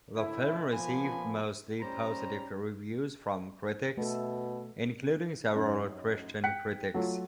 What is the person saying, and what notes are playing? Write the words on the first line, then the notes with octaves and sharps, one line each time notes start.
The film received mostly positive reviews from critics, including several Christian critics.
A2 D3 E4
A#2 F3 B3 G#5 B5
G3 C#4 C5 A#5
B2 A3 A4
F#2 D#4
G5 F#6 B6 C#7
F#3 A3 F4